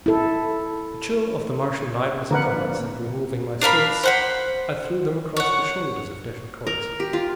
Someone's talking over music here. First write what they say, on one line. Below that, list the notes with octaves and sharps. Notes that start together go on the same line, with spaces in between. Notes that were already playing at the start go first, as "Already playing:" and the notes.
The chill of the Martian night was upon us, and removing my silks I threw them across the shoulders of Dejah Thoris.
E4 A4
D3 F3 A#3 C4 D4 A#4 B4 F#5
D4 A#4 F5 B5
C5 F#5 B5
C#5 F#5
A#4
G4
F4